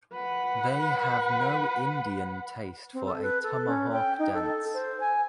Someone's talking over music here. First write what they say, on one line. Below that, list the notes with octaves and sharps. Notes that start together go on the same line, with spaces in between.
They have no Indian taste for a tomahawk-dance.
B4 F#5
C4
A4
B4
A4
C#4
G5
D#4
A4
C5
G#5